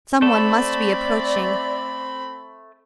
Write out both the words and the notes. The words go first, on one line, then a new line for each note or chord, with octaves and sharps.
Some one must be approaching.
A3 C4 A4 D5 B5